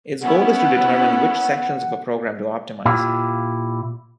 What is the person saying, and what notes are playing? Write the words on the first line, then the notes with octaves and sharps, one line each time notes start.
Its goal is to determine which sections of a program to optimize.
B3 C#4 E4 F#5
A#2 E4 F4 G4